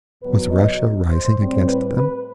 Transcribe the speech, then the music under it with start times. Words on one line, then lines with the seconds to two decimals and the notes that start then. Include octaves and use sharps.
Was Russia rising against them?
0.22 E2 B2 F#3 B3 B4
0.51 D#5
1.10 C5
1.39 A2 G3 C4
1.67 B4
1.96 B4